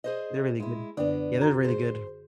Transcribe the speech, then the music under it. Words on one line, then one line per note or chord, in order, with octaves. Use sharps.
they're really good. Yeah, they're really good.
G#4 C5 D#5
G#3 E4
F#2 D3 B3 D4
F#4 A#5 G#6
G#4 C5